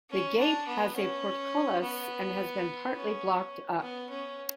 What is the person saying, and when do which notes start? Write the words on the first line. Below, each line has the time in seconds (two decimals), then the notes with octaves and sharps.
The gate has a portcullis and has been partly blocked up.
0.10 C#4
0.39 D4
0.67 B3
0.96 C#4
1.81 B3
2.96 C#4
3.81 B3
4.10 C#4